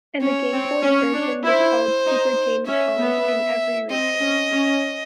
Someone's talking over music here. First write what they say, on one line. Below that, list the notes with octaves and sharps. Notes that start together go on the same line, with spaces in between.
And the Game Boy version was called "Super James Pond" in every region.
C#4 C#5
C4
C#4
D4
E4 C5
D#4
C#4 E5
B3
C4 D#5
C#4
C#4